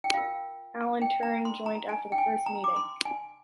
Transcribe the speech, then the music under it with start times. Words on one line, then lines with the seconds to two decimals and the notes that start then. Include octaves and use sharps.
Alan Turing joined after the first meeting.
0.04 G5
0.14 F4 A#4 F5
1.02 G5
1.23 A#5
1.45 C6
1.66 A#5
1.89 G#5
2.12 G5
2.18 G#5
2.46 A#5
2.64 D6
2.76 C6
3.05 G#5